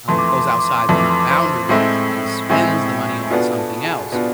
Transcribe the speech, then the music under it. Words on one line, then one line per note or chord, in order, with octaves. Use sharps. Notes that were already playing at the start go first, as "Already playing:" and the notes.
um, goes outside the boundaries and spends the money on something else?"
F2 E3 A3 C6
D6
C6
D6
C6
D6
C6
D6
F2 E3 A3 C6
D6
C6
D6
C5 C6
A2 G#3 C4 E4 A4 A5
A2 G#3 C4 E4 G#4 G#5
G#5
B2 B3 D4 F4 A4 A5
A4 A5
A5
G#4 G#5
B2 B3 D4 F4